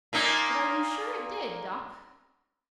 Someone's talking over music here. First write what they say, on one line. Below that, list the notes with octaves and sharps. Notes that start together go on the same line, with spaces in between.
"But are you sure it did, Doc?"
A#2 A#3 D#4